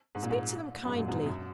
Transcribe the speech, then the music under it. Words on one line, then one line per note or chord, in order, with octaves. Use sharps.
Speak to them kindly.
G#2
A#2
G#2
F#2
G#2
F#2 A#2
G#2 B2
F#2